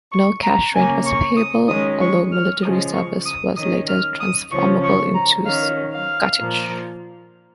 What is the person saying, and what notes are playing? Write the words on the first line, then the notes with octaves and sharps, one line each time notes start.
No cash rent was payable, although military service was later transformable into scutage.
C#6
A#5
C#3 A#3 C#4 G#5
C#6
D#6
D#3 G#3 C#4 D#6
C#6
F6
C#3 F3 G#3 C#4 D#6
C#6
D#6
D#3 C#4 D#6
F6
D#6
C#3 F3 C#4 C#6
C#6
A#5
D#3 C#4 F5
F5
A#2 F3 A#3